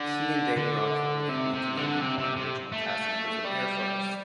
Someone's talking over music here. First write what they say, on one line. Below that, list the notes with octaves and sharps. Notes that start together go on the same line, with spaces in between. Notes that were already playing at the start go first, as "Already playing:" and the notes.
He and Dave Broadfoot were the only Canadian-born original cast members of "Air Farce".
Already playing: D3
D3
C3
C3
D3
C3
C3
C3
A3
G3